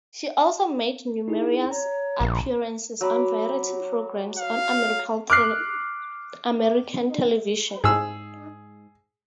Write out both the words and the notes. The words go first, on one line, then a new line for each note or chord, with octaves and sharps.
She also made numerous appearances on variety programs on American television.
D#4 E4 G#4
C#5 A#5
A#1
F#3 B5 D6
F5
D6 F6 F#6 C7
G#2 G#4 E6